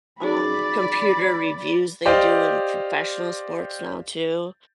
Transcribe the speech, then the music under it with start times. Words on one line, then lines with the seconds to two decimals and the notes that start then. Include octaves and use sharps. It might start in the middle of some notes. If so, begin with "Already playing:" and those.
um, computer reviews they do in professional sports now, too,
0.21 D#4 F#4 G#4 D5 B5
2.06 G4 C5 D5 D#5 F5